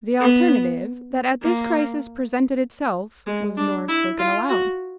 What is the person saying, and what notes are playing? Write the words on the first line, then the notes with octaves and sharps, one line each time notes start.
The alternative, that at this crisis presented itself, was nor, spoken aloud.
B3
A#3
G#3
D4
E4
F4
F#4